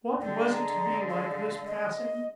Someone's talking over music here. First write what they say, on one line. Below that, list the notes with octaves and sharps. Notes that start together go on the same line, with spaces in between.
What was it to be like this passing?
D3 G#3 G5
A#5
F5
D#5